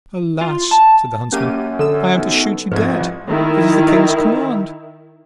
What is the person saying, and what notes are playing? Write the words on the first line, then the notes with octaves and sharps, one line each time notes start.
'Alas!' said the Huntsman, 'I am to shoot you dead; it is the King's command.'
F4
A5
F#2 A#3 C#4 G4 D#7
D3 A4 E6
B1
C2 F2 G#2 B4 G#6
D#3 E4